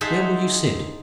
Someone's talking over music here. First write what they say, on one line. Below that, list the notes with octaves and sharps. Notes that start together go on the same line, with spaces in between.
Where will you sit?
D#4 G#4 A4 C5 E5 F#5